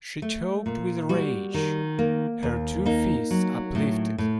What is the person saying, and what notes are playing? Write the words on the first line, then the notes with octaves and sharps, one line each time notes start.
She choked with rage, her two fists uplifted.
A3
A#2
G3 F#4
D#3
A#3
D#2
A#3 D#4
F#3
A2
A2